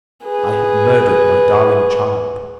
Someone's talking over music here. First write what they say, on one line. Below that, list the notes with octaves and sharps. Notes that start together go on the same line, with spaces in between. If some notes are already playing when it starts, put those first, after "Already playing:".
I have murdered my darling child!'
G#4 B4